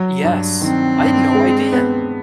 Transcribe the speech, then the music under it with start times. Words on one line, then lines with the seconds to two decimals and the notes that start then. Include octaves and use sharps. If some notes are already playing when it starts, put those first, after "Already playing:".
Yes, I'd no idea.
Already playing: F#3
0.24 G2
0.61 D#3 C4
0.99 G2
1.35 G#3
1.72 B3